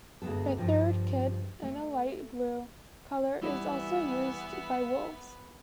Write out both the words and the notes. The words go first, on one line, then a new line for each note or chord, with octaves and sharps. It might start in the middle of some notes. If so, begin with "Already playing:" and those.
A third kit in a light blue colour is also used by Wolves.
D2 G2 G#3 B3 A4
G2 F3 G3
A3
E3 G3 B3 E4 E5 E7